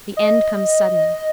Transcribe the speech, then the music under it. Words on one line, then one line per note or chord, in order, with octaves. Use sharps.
The end comes suddenly.
D#5